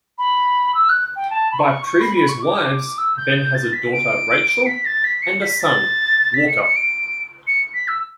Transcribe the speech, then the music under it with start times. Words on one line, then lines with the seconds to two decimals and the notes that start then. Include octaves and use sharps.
By previous wives, Ben has a daughter, Rachel, and a son, Walker.
0.18 B5
0.75 E6
0.89 F#6
1.16 G5
1.30 A5
1.52 B5
1.59 C#6
1.86 C#6
2.01 B5
2.15 B5
2.29 C#6
2.42 D6
2.98 E6
3.17 G6
3.37 G6
3.55 A6
3.73 B6
3.93 D7
4.66 B6
4.85 A6
5.04 B6
5.22 C#7
5.42 B6
5.61 A6
6.34 B6
6.48 C#7
6.63 C#7
6.76 D7
7.47 C#7
7.74 B6
7.88 E6